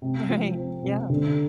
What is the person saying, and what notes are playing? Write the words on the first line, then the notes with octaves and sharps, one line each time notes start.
Right. Yeah.
C3
F3
C4
C3
D3